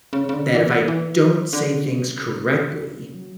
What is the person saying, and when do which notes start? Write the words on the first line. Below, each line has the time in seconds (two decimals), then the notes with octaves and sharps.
that if I don't say things correctly,
0.13 C#3
0.29 C#3
0.34 D3
0.55 E3
0.88 E3
1.53 D3
1.85 C#3
3.15 F#3